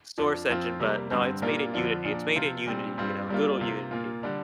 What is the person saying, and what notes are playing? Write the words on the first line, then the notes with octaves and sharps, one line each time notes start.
Source engine, but no, it's made in Unity It's made in unity, you know, good old Unity.
F2 F3 D4
F2 F3 C4 F4
C3 G3 A#3
G2 D3 G3 C4
A#2 G3 A#3 D4 F4
F2 D3 F3 D4 F4
A#2 F3 D4
C3 F3 C4 F4
A#2 G3 C4
G2 G3 C4 F4
G2 G3 A#3 F4
C3 A#3 F4
A#2 A#3 F4
D3 G3 D4